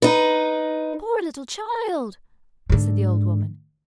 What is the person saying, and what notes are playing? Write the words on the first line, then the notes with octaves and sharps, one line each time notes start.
"Poor little child!" said the old woman.
D#4 B4
G#2 D3